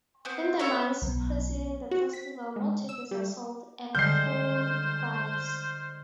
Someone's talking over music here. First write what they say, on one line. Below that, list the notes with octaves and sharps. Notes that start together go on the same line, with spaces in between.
In the months preceding the festival more tickets are sold at full price.
B3 C4
A4 C#5 E5 F5
B1
F#4
B6
G#3
E6
G3
D3 G3 G#3 C5 F6 G6 C7